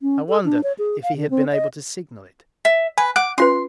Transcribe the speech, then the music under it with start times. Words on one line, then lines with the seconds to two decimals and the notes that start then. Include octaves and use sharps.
I wondered if he had been able to signal it.
0.01 C#4
0.29 A4
0.45 D4
0.63 C#5
0.79 G#4
1.03 F5
1.16 D3
1.30 C4
1.52 D#5
2.65 E5
2.98 B4 G#5
3.16 F#5 D6 F#6
3.38 C#4 F4 B4 C6